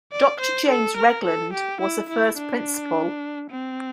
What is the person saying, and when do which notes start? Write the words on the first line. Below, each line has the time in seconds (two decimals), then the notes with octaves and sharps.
Doctor James Regland was the first principal.
0.12 D5
0.40 C5
0.69 A4
0.97 A#4
1.25 A4
1.53 G4
1.81 E4
2.10 E4
2.37 D4
3.51 C4